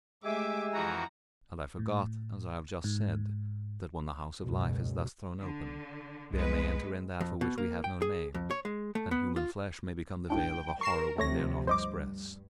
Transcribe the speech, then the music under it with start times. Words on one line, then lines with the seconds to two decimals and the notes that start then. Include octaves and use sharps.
And I forgot, as I have just said, that when the house of life is thus thrown open, there may enter in that for which we have no name, and human flesh may become the veil of a horror one dare not express.
0.24 G#3 A3 G4 E5 G#5 D6 E6
0.73 F2 E3 F#4 A#5
1.79 A2
2.84 G#2
4.42 C#2 F#2 B2
5.38 D3
6.33 C2 G#3 B3 B4
7.21 F2
7.41 B2
7.58 A#3
7.84 G5
8.02 G#4
8.34 F2
8.51 C#5
8.65 G#3
8.95 A3
9.11 B3
9.36 F4
10.30 B1 A2 D4 G5
10.81 A#4 C#6 C7 E7
11.18 D2 C3 F3 A3 C#5 A#6
11.67 G2 C5 D#5 D6